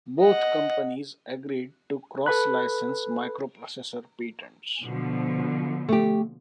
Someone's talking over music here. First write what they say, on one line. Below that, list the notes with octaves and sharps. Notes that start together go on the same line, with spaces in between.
Both companies agreed to cross-license microprocessor patents.
D#5 F#5
A4 B4 B5 F#6
B2 D3 F3
A3 G4